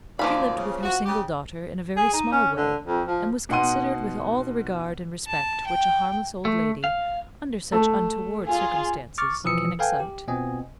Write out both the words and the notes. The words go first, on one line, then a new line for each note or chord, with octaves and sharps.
She lived with her single daughter in a very small way, and was considered with all the regard and respect which a harmless old lady, under such untoward circumstances, can excite.
F#2 D#3 F3 A#3 D5 B5
C#3
F#4
C#3 G4
G#4
D#4
C#4
D3
F2
F3
B2 D#4 F#5 C6 D#7
A5
G5
A3
F5
A3
F4 G#4
C#6 D6 F6 A6
B2 E3 F3 D#6 E6 C#7
A4 B4 F5 G5 G#5
G4
B2 B3 C4 F4 D#5 G#5